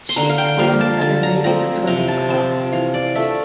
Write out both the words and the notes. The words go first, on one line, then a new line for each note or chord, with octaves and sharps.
She swam for Reading Swimming Club.
C6
D3 A#5
F5
G5
F3 A#3 F5
A5
D3 A5
A#5
F3 C4 A#5
C3 A#5
A5
F3 C4 A5
E3 F5
D5
A3 D4 F4 E5